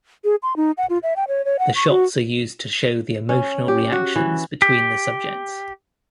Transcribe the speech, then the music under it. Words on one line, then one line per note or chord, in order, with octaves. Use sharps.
The shots are also used to show the emotional reactions between the subjects.
G#4
C6
D#4
F#5
F4
E5
G5
C#5
C#5
F#5
C#6
F#4
C#4
G4
F#4
E3
G4